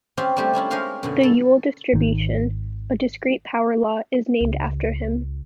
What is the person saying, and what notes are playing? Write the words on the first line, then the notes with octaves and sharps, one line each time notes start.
The Yule distribution, a discrete power law, is named after him.
C4 C#4 F4 G4 F5
G3 A3 A#3 C4 D4 G4
C4 C#4 E4 F4
G#3 C#4 G4 A#4 F5 C6
F#2 B2 D3
E4 A4
G#1 D#3
C#2